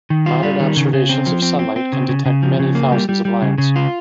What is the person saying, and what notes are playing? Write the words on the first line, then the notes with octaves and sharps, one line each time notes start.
Modern observations of sunlight can detect many thousands of lines.
D#3
F4
G3
D#3
C#3
C#3
C4
F3
C4
C4
C4
C#3
C#3
C#3
F3
C#3
A#3
G3
G3
G3
C#3
C#3
F4